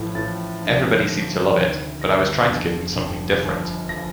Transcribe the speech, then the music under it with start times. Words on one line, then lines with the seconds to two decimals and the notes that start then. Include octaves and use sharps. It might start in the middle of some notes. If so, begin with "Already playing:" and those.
Everybody seemed to love it, but I was trying to give them something different.
Already playing: A1 A2 F3
0.15 A1 A2 F3 A6
0.62 D2 D3 F3
1.08 D2 D3 F3 A#6
1.55 D2 C3 D#3
2.02 D2 C3 D#3 A#6
2.48 F1 F2 D3 F3
2.95 F1 F2 D3 F3
3.42 G1 G2 F3
3.89 F3 A#6